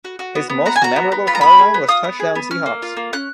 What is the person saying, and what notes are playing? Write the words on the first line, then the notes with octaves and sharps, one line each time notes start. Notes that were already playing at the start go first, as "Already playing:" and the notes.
His most memorable call line was Touchdown Seahawks!
F#4
F#4
B3
B3
F#4 A#5
G#5
F#4 A#5
B3
B3
F4 B5
A#5
B3 B5
G#4
B3
F4 D#6
B3
G#4
B3
C#4 F6
A#3
F4
A#3
C#4 F#6